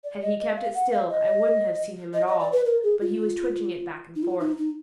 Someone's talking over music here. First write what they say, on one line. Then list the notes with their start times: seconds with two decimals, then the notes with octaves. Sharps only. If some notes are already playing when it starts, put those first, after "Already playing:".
Had he kept it still I wouldn't have seen him at all; but he was twitching it back and forth.
0.04 D5
0.22 D#5
0.40 D#5
0.57 F5
0.75 F#5
0.91 F5
1.09 D#5
2.14 D#5
2.27 D#5
2.40 D5
2.52 B4
2.66 A#4
2.83 G#4
3.01 F4
4.16 D#4
4.23 F4
4.40 D#4
4.58 D#4